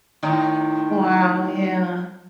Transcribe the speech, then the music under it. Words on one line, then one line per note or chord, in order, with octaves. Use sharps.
Wow, yeah.
A2 D#3